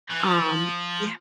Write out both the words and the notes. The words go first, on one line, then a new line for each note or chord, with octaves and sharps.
Um, yeah
E3
F3